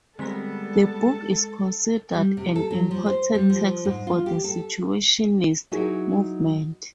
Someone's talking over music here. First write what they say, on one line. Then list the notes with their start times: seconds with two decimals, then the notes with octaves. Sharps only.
The book is considered an important text for the Situationist movement.
0.19 D3 G3 G#3 B3 C4 A4 A#4 B6
2.14 G3
2.37 C3
2.56 A4
2.71 F#3
2.91 F3
3.06 C5
3.35 G3
3.50 F3
3.85 G#2
4.07 F4
4.26 G4
4.44 A4
5.71 F#3 D#4 E4 F#4 G#4 A#4